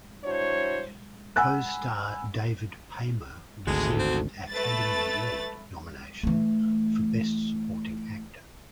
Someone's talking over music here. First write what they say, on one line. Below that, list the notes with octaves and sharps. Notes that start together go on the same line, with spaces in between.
Co-star David Paymer received an Academy Award nomination for Best Supporting Actor.
D4 E4 F#4 C5 C#5
F#5 G#5 B5 E6 F#6
G#1 D2 G#3 F#4 A4
C4
A3 B4 A6
E3 A3